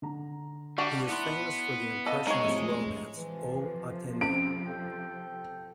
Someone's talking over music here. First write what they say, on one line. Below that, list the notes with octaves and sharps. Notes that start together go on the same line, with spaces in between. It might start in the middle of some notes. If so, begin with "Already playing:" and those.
He is famous for the Impressionist romance "O Ateneu".
D3 A#5
G3 D4 F#4
B3 E4 B4 C6
C3 A4 D#5 F5
G#3 D#4 C#5
F2 A2 C3
F2 C3 E3 F3
C4 C#4 D7
A4 G5